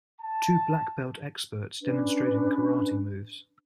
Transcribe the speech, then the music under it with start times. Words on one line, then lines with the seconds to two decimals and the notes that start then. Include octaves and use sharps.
Two black belt experts demonstrating karate moves.
0.20 A5
1.82 C#4 D4 B4